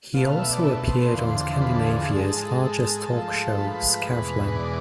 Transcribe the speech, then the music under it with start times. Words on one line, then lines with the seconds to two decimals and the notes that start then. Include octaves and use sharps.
He also appeared on Scandinavia's largest talkshow "Skavlan".
0.14 B2 A3 F5
0.27 F5
0.39 E5
0.51 D5
0.63 E5
0.88 C5
1.01 C5
1.12 E2 D3 F3
1.61 B4
1.74 A4
1.86 G#4
1.99 G#4
2.11 G#2 G#3 A4
3.10 G#2 F3 A3
3.58 B4
4.07 E2 B2 G#3
4.56 D5